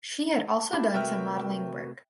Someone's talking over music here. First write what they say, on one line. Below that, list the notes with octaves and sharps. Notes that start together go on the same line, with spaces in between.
She had also done some modeling work.
D4 E4 G4
C3 A3 F#4 A#4 B4 E5 G5 F6